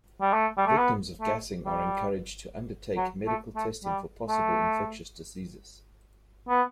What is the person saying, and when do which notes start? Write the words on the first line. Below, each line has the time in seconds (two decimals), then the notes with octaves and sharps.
Victims of gassing are encouraged to undertake medical testing for possible infectious diseases.
0.21 G3
0.33 A3
0.58 G3
0.67 A3
0.77 B3
1.21 A3
1.65 G3
2.97 F#3
3.27 A3
3.56 A3
3.84 G3
4.28 A3
6.49 B3